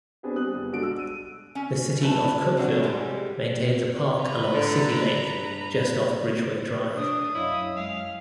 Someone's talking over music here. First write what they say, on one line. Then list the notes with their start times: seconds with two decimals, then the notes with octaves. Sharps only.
The City of Cookeville maintains a park along City Lake just off Bridgeway Drive.
0.23 B3 C4 D4 G#4 B4 C5
0.36 G3 D#6 F#6
0.54 G1
0.72 G#3 D4 F#4 A4 D7
0.83 E6
0.99 D#7
1.55 C#4
2.01 A3 E4 B4 A5
2.57 C3 D4 E4 F#4
2.83 G3 G#3 G4
4.19 B4 A#5
4.54 D3
5.25 G2
6.97 D4 D#6
7.34 F#2 E4 C#5 D#5 F5
7.76 G#3 F5